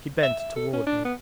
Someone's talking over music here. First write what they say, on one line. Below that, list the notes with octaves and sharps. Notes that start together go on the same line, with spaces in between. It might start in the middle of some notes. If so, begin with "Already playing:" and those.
She bent toward me.
E5
E5
A4
C#4
D4
B3